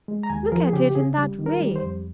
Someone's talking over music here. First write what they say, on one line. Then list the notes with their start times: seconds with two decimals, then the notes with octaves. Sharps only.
Look at it in that way?
0.08 G#3
0.23 A#5
0.30 D#2 G#5
0.46 G#4
0.52 F3 A#4
0.67 G#4
0.73 C#3 G4
0.86 G4
0.95 C#3 G#4
1.18 G3
1.39 D#3
1.46 A#4
1.60 G3
1.76 C5
1.83 F2